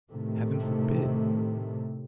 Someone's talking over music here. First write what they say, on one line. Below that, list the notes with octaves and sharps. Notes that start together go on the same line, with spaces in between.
Heaven forbid!
A2 C3 D#3 A3